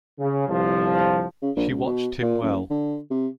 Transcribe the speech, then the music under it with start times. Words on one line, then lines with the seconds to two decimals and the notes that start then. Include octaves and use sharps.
She watched him well.
0.19 C#3
0.48 G1 C2 F3
1.42 C#3
1.56 A#1
1.70 C#2
1.86 B2
2.22 A#2
2.42 F#1
2.70 D3
3.11 C3